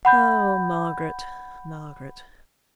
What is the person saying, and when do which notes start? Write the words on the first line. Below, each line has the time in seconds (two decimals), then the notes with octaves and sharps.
Oh, Margaret, Margaret!
0.05 F#5 B5 G6